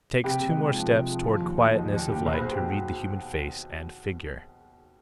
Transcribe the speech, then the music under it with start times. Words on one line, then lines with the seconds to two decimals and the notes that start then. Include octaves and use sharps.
It takes two more steps toward quietness of light to read the human face and figure.
0.24 C3 G4 B4
0.40 C3
0.49 D#4
0.57 G#3
0.74 F3
0.90 C3
1.08 F3
1.24 F3
1.41 D#2
1.58 D#2
1.75 D#2 D#4
1.92 D#2 D#4 G4
2.08 D#2 G4 B4
2.26 B1 C5
2.33 B4
2.41 B1 G#4 C5
2.51 G4 B4
2.60 B2